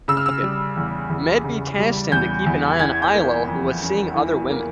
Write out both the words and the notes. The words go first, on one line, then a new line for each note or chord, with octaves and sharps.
Medb tasked him to keep an eye on Ailill, who was seeing other women.
C#3 E6
F6
E6
G3
E2
E2
C#3
G3
E2 G6
E2
E3 G#6
G6
A#3
F2
C#4
E3
A#3